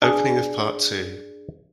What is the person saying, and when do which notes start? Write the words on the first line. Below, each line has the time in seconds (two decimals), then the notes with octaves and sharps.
Opening of Part Two.
0.02 D4 G#4